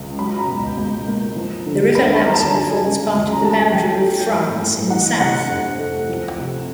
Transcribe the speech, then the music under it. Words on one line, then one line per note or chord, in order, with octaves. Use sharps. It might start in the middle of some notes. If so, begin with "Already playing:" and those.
The river Lauter forms part of the boundary with France in the south.
Already playing: C#2
F#3 B5
A#5
B2
C#2
A#3
F3
D3
D#2 B5
A#3 A#5
A5
A#5
F#3 G#5
C#3
C#2
A#5
A3 A5
G#5
A3 G5
F#3
A2
A2
E3 F#5
C3 F#5
F2
A3
F3
C3